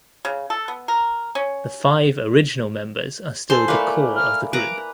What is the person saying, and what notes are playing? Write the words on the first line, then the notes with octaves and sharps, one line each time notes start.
The five original members are still the core of the group.
C#3
A4
B3
A#4
C#4
A4 C5 G#5 C6 D#6
A3 A#3 E4 B4 D5
F6
B4 A#5 D7